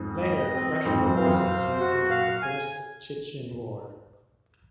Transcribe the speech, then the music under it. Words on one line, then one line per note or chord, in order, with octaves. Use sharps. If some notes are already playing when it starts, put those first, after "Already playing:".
Later, Russian forces used it in the First Chechen War.
Already playing: F2 G#2
D#5
C4
F2 G#2 C5
F#2
F5
F2
F#2
C5
F#4
F5
G#5